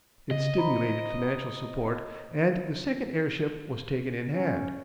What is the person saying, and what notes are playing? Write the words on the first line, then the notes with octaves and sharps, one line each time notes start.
It stimulated financial support, and the second airship was taken in hand.
C#3 D#5
C5 A#5 B5
C#4